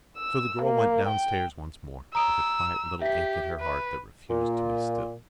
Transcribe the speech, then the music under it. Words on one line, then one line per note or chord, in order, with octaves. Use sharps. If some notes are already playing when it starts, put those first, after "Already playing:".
So the girl went downstairs once more, with a quiet little ache at her heart that refused to be still.
E6
A#3
G5
A#5 D#6 E6 D7
G4 E5 B6
B4
A#2